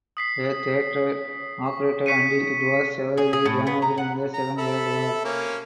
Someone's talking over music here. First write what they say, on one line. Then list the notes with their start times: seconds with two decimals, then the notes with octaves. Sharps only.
The theatre operated until it was severely damaged in the Second World War.
0.17 D#6 B6 C7
1.66 C#6
2.06 C#6 B6 C#7 D#7
3.18 G#4
3.33 G#4
3.45 A2
3.67 B3
3.82 A#5
3.98 F#5
4.33 A#5
4.58 A4 E5 B5
5.24 A#3 C#4